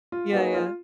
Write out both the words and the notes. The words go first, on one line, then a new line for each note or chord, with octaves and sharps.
Yeah, yeah,
F4
F#3 A#3 D#4 F#4 G#4 B4
F4